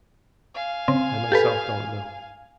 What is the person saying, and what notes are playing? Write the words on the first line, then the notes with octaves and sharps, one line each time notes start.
I myself don't know.
F5 G#5
C#3 C4
G4 A4 B4